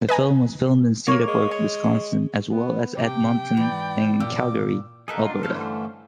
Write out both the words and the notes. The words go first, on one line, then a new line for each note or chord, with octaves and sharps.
The film was filmed in Cedarburg, Wisconsin, as well as Edmonton and Calgary, Alberta.
B4 D#5 G#5 A#5
A#3 C#5
G#3
C#5
B3
C3 G5 D6
G#2 E3 D5 B5
A#2 D6 E6
D3 D#3 A#3 D#4 G#4 A4 B4 D#5
D4 F4
G2 D3 E3 C#4 A4 C5 F5
A3